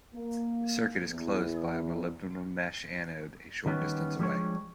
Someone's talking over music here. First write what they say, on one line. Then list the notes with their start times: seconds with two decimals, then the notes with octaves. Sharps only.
The circuit is closed by a molybdenum mesh anode a short distance away.
0.14 A#3
1.09 E2
3.66 D#3 G3 B3 C#4
4.19 F3 G3 G#3 D4 C#5